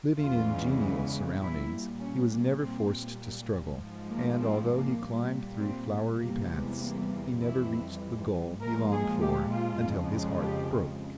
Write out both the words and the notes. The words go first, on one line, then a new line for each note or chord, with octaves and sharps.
Living in genial surroundings, he was never forced to struggle, and although he climbed through flowery paths, he never reached the goal he longed for until his heart broke.
E2 C#3 E3 G#3 F4
A#2 G3 E4
C#4
A#3
A#2 G3 C4
G#2 F3 G#3
A#3
C4
A#3
A#2 G3
C4
E2 C3 E3 G3 A#3
G#3
A#3
A#3
F2 E3 G3 E4
A#2 F3 G#3 A#4
G#4
G4
F4
F2 C#3 F3 G#3
G4